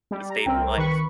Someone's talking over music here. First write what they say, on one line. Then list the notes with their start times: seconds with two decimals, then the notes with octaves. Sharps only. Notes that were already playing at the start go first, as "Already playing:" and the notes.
the stable life.
0.11 G3
0.30 A#5
0.46 C2 C4 A#4 G5
0.78 D#3 B4 B5 C#6